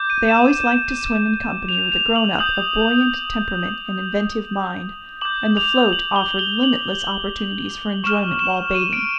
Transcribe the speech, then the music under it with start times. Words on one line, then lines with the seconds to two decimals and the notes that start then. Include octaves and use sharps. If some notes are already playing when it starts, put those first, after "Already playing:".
They always liked to swim in company with a grown-up of buoyant temperament and inventive mind, and the float offered limitless opportunities for enjoyment while bathing.
Already playing: D6 G6
0.10 D#7
0.29 E7
1.69 F7
1.92 F7
2.16 F#7
2.39 D#6 G6 F#7
5.21 D6 G6 F#7
5.57 F7
5.93 F#7
6.16 G7
6.39 G7
6.63 F#7
8.04 C#6 F6 E7
8.39 E7
8.75 D#7
8.93 D7